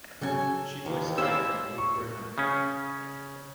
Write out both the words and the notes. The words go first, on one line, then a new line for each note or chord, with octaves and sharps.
She voiced Z in "All Grown Up".
C#3 F#3 C#4 A4 G#5
D#2 D#3
C#4 E4 G4 C5 F5 E6
C#6
C#3 C#4